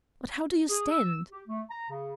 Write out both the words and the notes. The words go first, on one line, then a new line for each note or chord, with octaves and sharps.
'But how do you stand?
G#4
E6
G4
A3
A#5
C#3